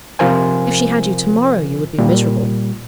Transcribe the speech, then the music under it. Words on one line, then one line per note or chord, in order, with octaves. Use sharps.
If she had you to-morrow, you would be miserable.
C3 F3 F4 A#4 C5 G#5
A#2 G3